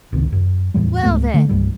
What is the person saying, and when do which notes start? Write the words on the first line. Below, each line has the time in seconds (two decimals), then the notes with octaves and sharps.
"Well then!"
0.12 G#1 C#2 C3 D#3
0.32 F#2
0.74 E2 A2 E3 G3
1.03 C#2 G#2 A3 B3
1.34 D3 A3
1.49 C2 G2 G3